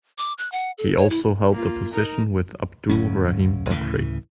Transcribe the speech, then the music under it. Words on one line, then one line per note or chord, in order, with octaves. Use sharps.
He also held the position with Abdul Rahim Bakri.
D6
F#6
F#5
A4
C#5
E4
A#3 F4
D#4 A#4
D1 F#2 C#4
D2 A2 C#3 E3